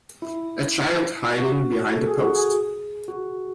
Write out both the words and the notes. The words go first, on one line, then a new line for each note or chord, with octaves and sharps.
A child hiding behind a post.
E4
F#4
A4
G#4
F#4
G#4
F#4